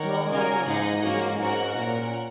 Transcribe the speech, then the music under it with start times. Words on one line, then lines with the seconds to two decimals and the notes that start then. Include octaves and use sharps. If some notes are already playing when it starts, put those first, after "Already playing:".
When all lives are lost, the game is over.
Already playing: D#3 D#4 A#4 C#5 F#5
0.29 C#3 A#3 F#4 A#4 C#5 G#5
0.66 G#2 D#4 G#4 D#5 F#5
1.02 G#2 A#3 C#4 F#4
1.39 G#2 C#4 F#4 A#4 F#5
1.75 A#2 C#4 A#4 F#5